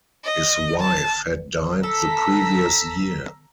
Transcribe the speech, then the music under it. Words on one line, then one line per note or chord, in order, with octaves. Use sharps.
His wife had died the previous year.
D#5
A5
A4 A#5 E6 B6